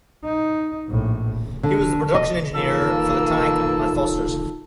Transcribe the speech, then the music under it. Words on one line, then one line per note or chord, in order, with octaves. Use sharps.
He was the production engineer for the tank at Fosters.
D#4
A#1 A2
D3
D#5
E3 A#3 D#4 F4 A4 A5 E6